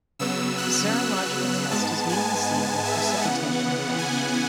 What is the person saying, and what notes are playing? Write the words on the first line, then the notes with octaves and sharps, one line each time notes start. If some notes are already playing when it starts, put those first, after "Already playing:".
The serological test is mainly seen in the precipitation reaction.
C#3 F#3 B3 E6
F#6
E6
G#2 G#3 B3 A5
G#5
E5
C#3 E3 B3 F#5
G#5